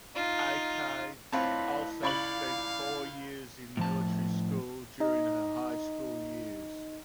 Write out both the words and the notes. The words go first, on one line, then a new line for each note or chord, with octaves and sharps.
Aki also spent four years in military school during her high school years.
D#4 F4
C4 E4 F4 B4 C#5 D#5 A5
C#2 D5 F5 B5 C#6 F#7
A2 F3 A5
D#4 D#5